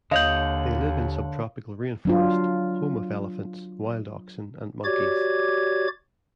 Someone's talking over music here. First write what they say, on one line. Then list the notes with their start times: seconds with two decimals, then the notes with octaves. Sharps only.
They live in subtropical rainforest, home of elephants, wild oxen and monkeys.
0.11 D#2 D3 C#5 D#5 F5 G6 F#7
2.05 F#3 D4 F4
4.85 F#4 G4 C#5 D5 D6 G#6